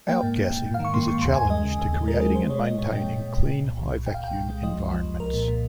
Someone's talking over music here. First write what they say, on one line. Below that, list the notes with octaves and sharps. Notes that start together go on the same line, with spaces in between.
Outgassing is a challenge to creating and maintaining clean high-vacuum environments.
A#3 G5
G#2
G#2
G#2
G#2
F5
D#3
C#6
A#3 C6
G#2 C#6
D#2 C6
D#2 G#5
G#3 D#5
C#3
D#2
G#3
G#3 A#4
G#3 G#4
G#3 C5
G#3 C#5
G#3 D#5
A#2 C#5
G#3 G5
A#2
A#2
A#2
A#2
C2
C2
C2
C2 G5
F5
C2 G5
C2
G#3
F3 D#5
C2
F3
C2
C2 A#4
A#2
A#2